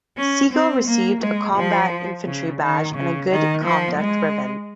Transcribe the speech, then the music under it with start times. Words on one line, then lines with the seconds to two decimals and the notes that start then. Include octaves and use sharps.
Siegel received a Combat Infantry Badge and a Good Conduct ribbon.
0.17 C#4
0.53 C4
0.87 A#3
1.21 G#3
1.56 F3
2.26 C#3
2.61 D#3
2.95 C#3
3.30 D#3
3.64 F3
3.99 G#3